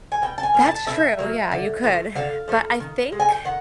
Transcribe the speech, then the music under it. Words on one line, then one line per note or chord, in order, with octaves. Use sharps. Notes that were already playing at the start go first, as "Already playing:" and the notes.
That's true, yeah, you could, but I think
G#5
B2 G5
A5
G#5
F#3 A#3
A5
B2 E5
F#3 A#3
D3
F3 A3
D3 F5
F3 A3
D#3
G#3
G#5
G5
D#3 F#5